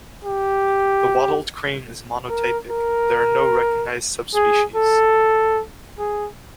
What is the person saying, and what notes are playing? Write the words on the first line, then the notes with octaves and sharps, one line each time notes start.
The wattled crane is monotypic: there are no recognised subspecies.
G4
A#4
A#4
G#4
A4
G#4